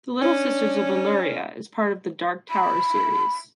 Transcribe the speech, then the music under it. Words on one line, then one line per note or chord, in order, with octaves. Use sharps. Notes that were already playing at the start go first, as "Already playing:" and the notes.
"The Little Sisters of Eluria" is part of "The Dark Tower" series.
C#4 D4
B5